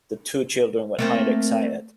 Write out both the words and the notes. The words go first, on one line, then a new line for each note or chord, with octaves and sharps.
The two children were highly excited.
A3 A#3 C4